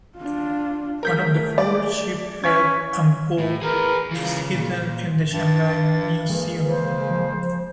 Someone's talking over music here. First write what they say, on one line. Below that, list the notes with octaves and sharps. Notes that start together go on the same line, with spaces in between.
One of the four sheep head ampoule is hidden in the Shanghai Museum.
D4 F4
A3 G#4 A#4 G6 B6
D5
C#4 G#6 B6
A2
G#4 A#4 B4
C#3 E3 F4
A#2
G2 A6
E3 G#3 A#3
C#3 C5
F3